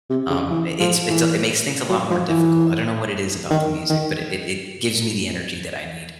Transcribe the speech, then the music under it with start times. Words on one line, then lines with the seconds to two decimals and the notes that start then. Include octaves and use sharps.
um, i it's it's a it makes things a lot more difficult. I don't know what it is about the music, but it it it gives me the energy that I need.
0.10 C3
0.30 C#3
0.50 E3
0.80 F3
1.10 E3
1.89 F#3
2.10 F3
2.29 E3
3.50 D#3
3.90 D#3